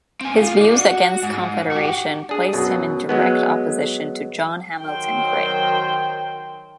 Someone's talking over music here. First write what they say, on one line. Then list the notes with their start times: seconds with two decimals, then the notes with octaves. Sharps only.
His views against Confederation placed him in direct opposition to John Hamilton Gray.
0.21 C4 G#5
0.34 A2 F4
0.57 D#4 D5
0.78 F#4
1.23 G#2
1.71 F#4 G4
2.29 D4 G#4
2.53 F#2 B2 F#3
3.09 F#3 G#3 B3
4.80 D#3 F#3 C5 G5